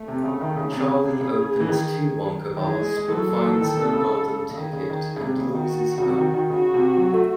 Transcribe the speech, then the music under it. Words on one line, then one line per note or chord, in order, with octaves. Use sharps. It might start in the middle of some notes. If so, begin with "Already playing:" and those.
Charlie opens two Wonka Bars but finds no Golden Ticket and loses hope.
Already playing: A3
C3
C#3
D#3
C#3
C3 G#4
C#3
C3
C#3
E3
D#3
D#3
E3 G#4
G#3
G#3
E3
F#3 A4
F#3
E3
D#3
C3
C#3
C#3
D#3 G#4
C#3
D#3
C#3
C3
C#3
C#3
D#3 F#4
C#3
C3
D#3
D#3
C#3 F#4
C3
F#3
A3